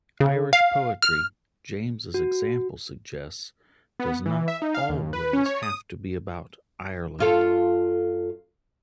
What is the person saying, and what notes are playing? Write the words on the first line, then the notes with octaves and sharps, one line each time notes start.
'Irish poetry', James's example suggests, does not always have to be about Ireland.
C#3
F5
F6
F#4
B3
E3
E5
D#4
F5
D#2
B4
C#4
C#5
D#6
F#2 F4 A4